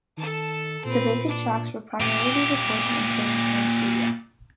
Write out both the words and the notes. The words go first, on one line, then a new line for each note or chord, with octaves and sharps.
The basic tracks were primarily recorded in Taylor's home studio.
D#3 A4 A5
A#2 C4 B4
D4
A#2 G4